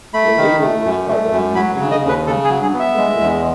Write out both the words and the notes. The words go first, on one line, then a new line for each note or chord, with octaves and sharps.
The label was part of the Enigma Records group of labels.
A3 B5
D#3
A3
F#2
A3
F#2
F#3 B5
C#3
D#5
D#2
B4
C#3 A4
G#4
F#3
G#4
B3
E5
G#3
E2